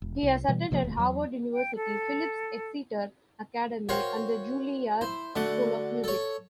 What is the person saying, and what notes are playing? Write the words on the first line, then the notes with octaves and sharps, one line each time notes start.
He has attended Harvard University, Philips Exeter Academy, and the Juilliard School of Music.
E1
C2
B2 E3 G3 B3
A#1 C3 F3 A#3
D#1 D2
E2 F#3
G5
A4
F#4 A#4 C5 C#5 F5 G5
E4 C5
D3 A3 F#4 A5
A4 C#5